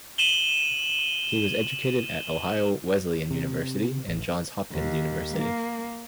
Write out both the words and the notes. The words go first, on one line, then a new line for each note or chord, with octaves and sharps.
He was educated at Ohio Wesleyan University and Johns Hopkins University.
D#7 E7 F#7 G7
C3
A1
D#2
A#3